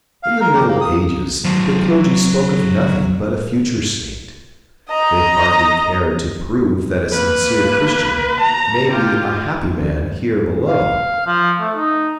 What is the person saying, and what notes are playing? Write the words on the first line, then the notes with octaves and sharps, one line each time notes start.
In the Middle Ages the clergy spoke of nothing but a future state; they hardly cared to prove that a sincere Christian may be a happy man here below.
F5
A#4
G4
A#3
D#6
F#3 C5
D#5 A#5
A#3 B4
A#5
F4 G4
F5
F3
A3
D#4